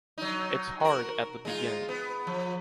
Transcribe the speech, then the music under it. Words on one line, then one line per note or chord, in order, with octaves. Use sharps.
It’s hard at the beginning.
F#3 D#4
F#4 A#4
G#3 D#4 F4
B3
F3